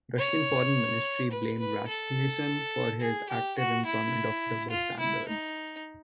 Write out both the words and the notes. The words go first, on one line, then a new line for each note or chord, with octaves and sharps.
Russian Foreign Ministry blamed Rasmussen for his active employment of double standards.
C#5
B4
B4
A4
G#4
G4
F#4
E4
F4
E4
D#4